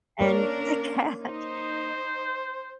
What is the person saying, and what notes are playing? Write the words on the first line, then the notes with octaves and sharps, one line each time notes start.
and the cat,
A#3 C#4 D4 A#4 C#5
D#4 C5